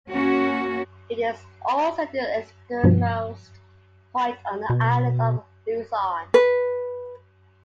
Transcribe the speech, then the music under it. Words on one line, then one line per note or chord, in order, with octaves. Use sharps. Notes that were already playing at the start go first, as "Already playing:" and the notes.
It is also the easternmost point on the Island of Luzon.
A#3 C#4 F#4
G2 B2 F3
B2
B4